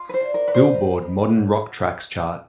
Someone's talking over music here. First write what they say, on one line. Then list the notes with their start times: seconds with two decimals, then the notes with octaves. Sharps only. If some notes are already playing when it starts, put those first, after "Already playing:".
Billboard Modern Rock Tracks chart.
Already playing: F4
0.09 B4
0.14 C5
0.20 D4
0.34 A#4
0.48 B3 B4
0.54 C5
0.75 D#4
1.02 B3
1.29 F#3